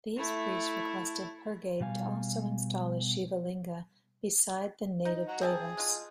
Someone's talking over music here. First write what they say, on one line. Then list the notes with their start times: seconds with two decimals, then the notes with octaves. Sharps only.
These priests requested Pergade to also install a Shivalinga beside the native Daivas.
0.17 A3 E4
1.80 B2 G3 F5 G#5
5.05 D#4
5.29 F#4 A#5
5.41 C4 G#4 E5 A5
5.77 G#3 F4